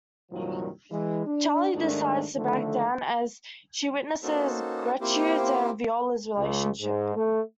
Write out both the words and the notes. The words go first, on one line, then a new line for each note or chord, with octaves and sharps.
Charlie decides to back-down as she witnesses Gertrude and Viola's relationship.
C2 G2 A#2 D#3 F3 F#3
E3 G#3
D4
D#2 G#2 D#3 A3 D4
D3 D#3 F3 A3
A#3 C#4 D#4 F#4 A4 C5
A#3 C4 E4 F4 G4 C5
C#2
G#2
A3